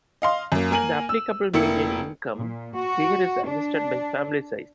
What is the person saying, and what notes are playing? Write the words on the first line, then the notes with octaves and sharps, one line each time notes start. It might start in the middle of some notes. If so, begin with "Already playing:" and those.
The applicable median income figure is adjusted by family size.
D#5 F5 C6
F#2 A#3
A#3 A#4 G#5 D#7 F#7
E6
F1 A#3 E4 C#7
A#2
F#4
D4